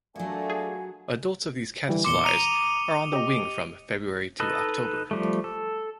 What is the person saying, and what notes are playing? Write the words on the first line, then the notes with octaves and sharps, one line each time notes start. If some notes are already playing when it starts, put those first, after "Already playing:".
Adults of these caddisflies are on the wing from February to October.
A#2 D3 F#3 A3 D4 F#4 G#5
G#4
D3 E3 G3
E2 A#2 C6 D6 C#7 G7
A#5 D#6 D#7 F7
G4 D#5
D#4 A4 B4 D#5
F3 G3 A3
A4